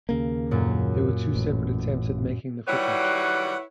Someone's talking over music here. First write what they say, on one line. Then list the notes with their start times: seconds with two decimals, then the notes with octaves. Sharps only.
There were two separate attempts at making the footage.
0.09 D#2 C#3 A#3
0.51 F#2 A#2
1.35 A1
2.68 D#3 F#3 G3 E4 B4 C#5 F#5 F#6